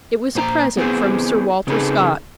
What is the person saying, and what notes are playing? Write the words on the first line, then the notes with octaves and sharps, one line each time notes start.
It was a present from Sir Walter Scott.
A#2 C5 G#5 A#5
B3 C4 E4 G#4 B4 C5
C#3 C4 D#4 G#4 A4 B4